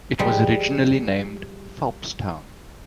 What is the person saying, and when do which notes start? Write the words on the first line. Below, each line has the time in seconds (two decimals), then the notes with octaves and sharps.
It was originally named Phelpstown.
0.19 F3 G3 G#3